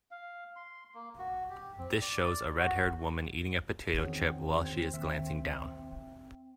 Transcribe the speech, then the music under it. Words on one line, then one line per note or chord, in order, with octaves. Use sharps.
This shows a redhaired woman eating a potato chip while she is glancing down.
F5
C6
A#3
F#4
G4
C4
D5
F#4
E2 D#3 C4 C#4 F#4 G#4
D#2 E5